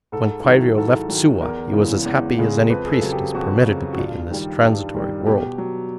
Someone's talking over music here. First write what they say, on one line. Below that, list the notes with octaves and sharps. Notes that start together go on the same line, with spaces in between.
When Kwairyo left Suwa, he was as happy as any priest is permitted to be in this transitory world.
G#2 A4
D#3 F#3
E4
G#2 A4
D#3 F#3
E2 A#4
C#3 E3 G#3
E2
C#3 E3 G#3
F2 B4
G#4
A4
C#3 F#3
G4
F2 F#4
C#3 F#3
F#4
G2 F4
D#3 G3
G2
D#3 G3
B2 G4
F#3